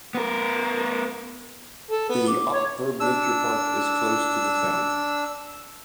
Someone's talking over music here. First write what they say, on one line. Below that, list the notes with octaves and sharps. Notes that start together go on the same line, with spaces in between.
The Aukrug Nature Park is close to the town.
B3 A#4
A4
B3
D6
C#5
D4 E6